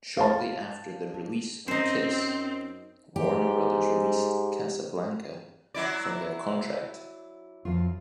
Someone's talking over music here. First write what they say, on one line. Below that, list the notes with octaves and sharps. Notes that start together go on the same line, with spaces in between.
Shortly after the release of "Kiss", Warner Brothers released Casablanca from their contract.
F5 A5
F#2 C4 D#4 C5
G#2 G4
F#3 E4 D5
F2 F4